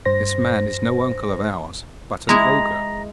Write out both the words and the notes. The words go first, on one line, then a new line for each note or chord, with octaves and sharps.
This man is no uncle of ours, but an ogre.'
G2 C5 A#6
G#3 E4 G#4 A#5